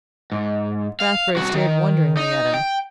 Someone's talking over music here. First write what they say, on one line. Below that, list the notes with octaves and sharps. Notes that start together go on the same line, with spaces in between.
Rathbury stared wonderingly at him.
G#2
F5
C2 F#4
D#3
D#4
G5